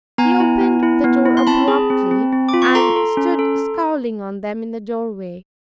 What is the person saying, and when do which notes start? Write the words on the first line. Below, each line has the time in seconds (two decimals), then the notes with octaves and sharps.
He opened the door abruptly and stood scowling on them in the doorway.
0.18 B3 G#5 A#5
0.40 E4
0.61 B3
0.83 E4
1.04 B3
1.26 E4
1.37 C6
1.47 C4 A5 B5
1.68 G#4
1.90 C4
2.11 C4
2.33 C4
2.49 D6
2.54 F4
2.62 C#6
2.75 A4 A#5 C6
2.96 A4
3.17 C#4
3.39 A4